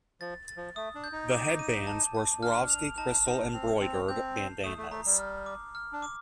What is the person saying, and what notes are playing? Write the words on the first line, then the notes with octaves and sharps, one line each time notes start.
The headbands were Swarovski crystal-embroidered bandanas.
F3 A6
A6
F3
A3 D#6
D4
G6
D#4
D6
D#7
A5
A5
D4 F6
F7
D#4 A5
D#4 A5
C4 F7
C4 F7
C4 G6
C7
A3 D#6
A3
A3 A#5
G3
F6
D6
F6
D4
D6